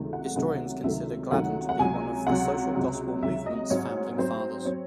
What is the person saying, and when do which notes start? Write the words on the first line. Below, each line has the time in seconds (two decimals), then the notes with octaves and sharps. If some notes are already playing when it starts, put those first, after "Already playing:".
Historians consider Gladden to be one of the Social Gospel Movement's founding fathers.
Already playing: C#2 C3 D#3 F#3 A3
0.13 F#5
0.36 C#2 C3 D#3 F#3 A3 F#5
0.84 C#2 C3 D#3 F#3 A3 E5
1.31 C#2 C3 D#3 F#3 A3 F#5
1.69 F#5
1.79 C#2 C3 F#3 G#5
2.27 C#2 C3 F#3 F#5
2.75 C#2 C3 F#3
3.22 C#2 C3 F#3 E5
3.46 D#5
3.70 G#2 F#3 C4 C#5
4.18 G#2 F#3 C4 C5
4.65 F#3 C4 C#5